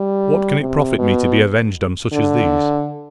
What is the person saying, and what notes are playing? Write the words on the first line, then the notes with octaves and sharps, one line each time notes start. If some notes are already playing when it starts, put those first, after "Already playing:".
What can it profit me to be avenged on such as these?
Already playing: G3
C3
B2
D3